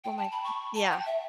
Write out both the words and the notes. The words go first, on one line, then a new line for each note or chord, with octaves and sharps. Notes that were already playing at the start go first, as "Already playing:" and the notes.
Oh, my g yeah.
G5
A5
B5
C#6
A5
F#5
G5
E5